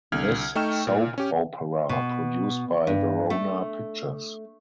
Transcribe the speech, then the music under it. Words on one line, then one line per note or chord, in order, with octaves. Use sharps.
This soap opera produced by Verona Pictures.
C2 D3 F6 G#6
A3 D#4 G5 C#6 F6 E7
A#2
C#4 G4
B2
G2
A3